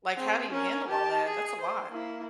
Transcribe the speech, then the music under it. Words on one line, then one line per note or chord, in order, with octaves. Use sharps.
Like how do you handle all that? That's a lot.
C4 G#4
C#4 A#4
G4 A5
G#4
C5
A#3 E4